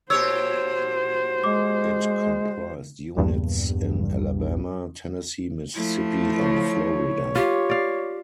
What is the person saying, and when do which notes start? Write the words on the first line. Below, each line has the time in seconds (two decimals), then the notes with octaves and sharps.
It comprised units in Alabama, Tennessee, Mississippi, and Florida.
0.10 A#2 F#4 G4 C5 C#5 E6
1.44 G#3 D6
3.17 A#1 E2 G2
5.75 F3 A3 E4
6.39 C#5
7.35 F4 G4
7.70 D5 F5